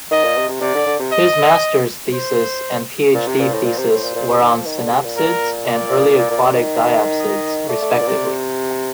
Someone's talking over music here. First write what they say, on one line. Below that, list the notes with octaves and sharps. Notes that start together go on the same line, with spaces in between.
His Masters thesis and Ph.D. thesis were on synapsids and early aquatic diapsids respectively.
D#3 D#5
A#2
C3
C3
C3 D5
D3
D3
C3
D#5
C5
A#2 C5
C3
A#2
A2
A#2
C3
A2
A#2
A#2
C3
D#3
F3
D#3
D3
C3
A#2
A#4
D5
A#2
A#2
C3
D#3
D#5
A3 D5
A3
D3
A#2
C3